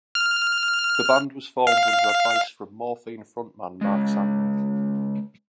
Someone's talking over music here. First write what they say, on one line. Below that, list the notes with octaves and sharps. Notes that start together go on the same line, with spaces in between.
The band was formed under advice from Morphine frontman Mark Sandman.
F6
F5
C#3 G#3